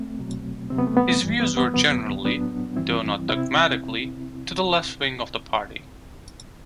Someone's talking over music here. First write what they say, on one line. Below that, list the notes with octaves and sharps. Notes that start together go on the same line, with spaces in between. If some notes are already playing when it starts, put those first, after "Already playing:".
His views were generally, though not dogmatically, to the left-wing of the party.
Already playing: A3 C4
C2 B2 F#3
D2 C3 F#3 C4
B3
A3
B3
G2 E3 G3
B3
B3
F#2 D3 F#3 B3
A2 F#3 B3 D4
G2 E3 G3 C4 E4
C3 C4 E4